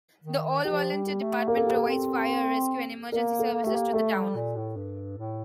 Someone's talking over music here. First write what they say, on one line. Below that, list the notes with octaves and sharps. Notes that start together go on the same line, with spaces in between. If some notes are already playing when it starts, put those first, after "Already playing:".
The all-volunteer department provides fire, rescue, and emergency services to the town.
D#3
F3 G4
G3
G4
A3
A#3 A#4
A4
G4
A4
C4
A#3 A#4
A4
A#3
A3 G4
A#3
A3 A4
G3
A#2
A2
G2
A2